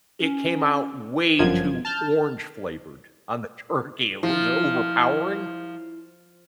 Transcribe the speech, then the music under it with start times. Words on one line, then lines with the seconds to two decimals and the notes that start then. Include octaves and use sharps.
it came out way too orange-flavored on the turkey. It was overpowering.
0.20 C#4
1.39 G1 F#2 F3 G#6
1.85 A5 F6 G6
4.23 F3 E4